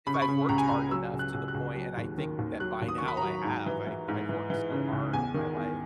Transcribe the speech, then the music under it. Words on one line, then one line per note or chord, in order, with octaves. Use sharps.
if I've worked hard enough to the point and I think that by now I have. I I've worked so hard in my life
C#3 B5
C#6
B5
C#3
C#2 A#5
G#5
A#5
C#2
F#3 E6
C#2
F#6
C#2
F#6
C#2
F#3
D#2
D#3
D#2
F#3 F#6
D#2
D#6
D#3 C#6
B5
A#5
F#3
G#2
E3
E3
G#2
E3
E3
C#3
C#2
E2 G#5
D#3
E2